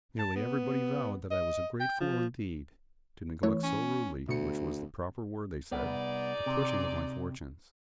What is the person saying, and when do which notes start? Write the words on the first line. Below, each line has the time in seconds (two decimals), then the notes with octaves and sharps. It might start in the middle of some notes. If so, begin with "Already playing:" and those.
Nearly everybody vowed that I was a great fool indeed, to neglect so rudely--which was the proper word, they said--the pushing of my fortunes.
0.19 A5
0.36 B3
1.31 D#5
1.80 G5
2.00 F3
3.43 E3 A3 C#5
3.63 C#4
4.29 D2 B2 C#7
5.71 C2 B3 D#4 G#4 D5
6.46 C3